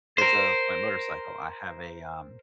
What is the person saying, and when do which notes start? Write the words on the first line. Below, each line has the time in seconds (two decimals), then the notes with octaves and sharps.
is of my motorcycle. I have a, um
0.18 A#4 C5